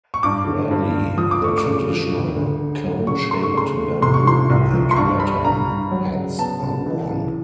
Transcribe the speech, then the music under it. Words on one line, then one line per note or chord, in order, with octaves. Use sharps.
Rarely, the traditional cone-shaped bamboo and rattan hats are worn.
C#6
G2 D6
D3
G2
G2
F3 D#6
D6
A3 C#6
D6
C#3
F3
D2
D2
D3
F#3
C#3 C#6
A3 C6
C#6
C#3 C6
A3
C3 C6
C#6
F3 C6
C2
F3
C6
G2 C#6
G3 B5
G2 A#5
G2
F#3
C#3
B3 A5
C#2
E3
C#2